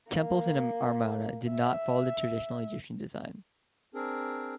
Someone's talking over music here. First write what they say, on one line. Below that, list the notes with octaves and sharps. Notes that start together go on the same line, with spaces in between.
Temples in Amarna did not follow the traditional Egyptian design.
A#3
E5
C4 D4 G#4 A#4